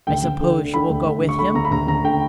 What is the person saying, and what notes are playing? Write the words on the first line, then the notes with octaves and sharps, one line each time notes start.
"I suppose you will go with him?"
D2 G5
D2
D3
D3
D3 B5
D2
D2
D2
C#6
D3 B5
D2 A#5
B5
D2 A#5
D2 A#5
D3 G5